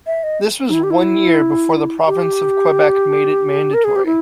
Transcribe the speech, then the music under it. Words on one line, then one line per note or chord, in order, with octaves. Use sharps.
This was one year before the province of Quebec made it mandatory.
E5
D#5
D#4
E4
G4
E4
G4
A#4
G#4
G4
E4